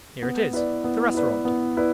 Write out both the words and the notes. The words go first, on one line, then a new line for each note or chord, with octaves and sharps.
Here it is--the restaurant.
B3
E4 B4 D5
B3
E4 B4 D5
B3
E4 B4 D5